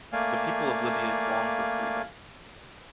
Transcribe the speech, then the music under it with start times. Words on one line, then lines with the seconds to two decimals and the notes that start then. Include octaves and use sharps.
The people of Libya long for freedom.
0.13 A3 A#3 D5 F5 G#5